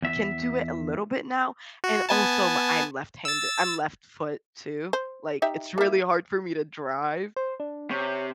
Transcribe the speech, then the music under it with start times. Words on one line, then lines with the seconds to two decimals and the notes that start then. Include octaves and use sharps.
can do it a little bit now, and also, I'm left hande I'm left foot too, like, it's really hard for me to drive.
0.02 E2 E5
1.84 F#4
2.09 B3 G#5 A5
3.25 E6 A6
4.93 C5
5.42 D#4 G4 E5
5.78 A#3 E4
7.36 C5
7.60 D4
7.91 C3 C#5